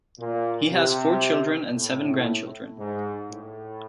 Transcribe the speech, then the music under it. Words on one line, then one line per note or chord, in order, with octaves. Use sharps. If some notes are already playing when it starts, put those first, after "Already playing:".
He has four children and seven grandchildren.
A#2
C3
A2
G#2
A2